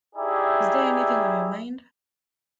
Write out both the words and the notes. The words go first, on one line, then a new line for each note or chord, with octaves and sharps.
Is there anything on your mind?
D#4 E4 G4 G#4 D5 E5